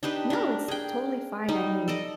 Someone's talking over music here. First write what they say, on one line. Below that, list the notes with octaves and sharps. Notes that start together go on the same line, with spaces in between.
No, it's, uh, totally fine. I mean,
D4 D#4 G4 B4
D4 A#4
G#4 G5
G3 D#4
A4 D5 D#5